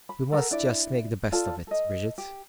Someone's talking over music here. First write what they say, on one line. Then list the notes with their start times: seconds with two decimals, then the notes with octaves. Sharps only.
We must just make the best of it, Bridget.
0.09 B5
0.32 A4 A#4 F#5
0.51 D4 E4 D5
1.32 F4 A4 D5 A5
1.67 A4 D#5
2.18 G4